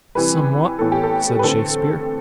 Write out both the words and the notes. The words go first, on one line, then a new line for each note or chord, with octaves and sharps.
"Somewhat," said Shakespeare.
C3 E3 G3 B4
A2 E3 B3 A4
G4
A4
B4
D3 A3 C4 A4